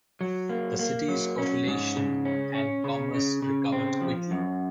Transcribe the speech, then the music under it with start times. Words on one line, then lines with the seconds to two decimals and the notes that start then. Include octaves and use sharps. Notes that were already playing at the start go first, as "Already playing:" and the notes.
The city's population and commerce recovered quickly.
0.21 F#3
0.49 A#3
0.79 A#3
1.08 F#3
1.38 C#4
1.67 G#2
1.96 C#3
2.25 C#4
2.55 C#4
2.84 C#3
3.14 C#3
3.42 C#3
3.72 C4
4.01 F3
4.31 F#2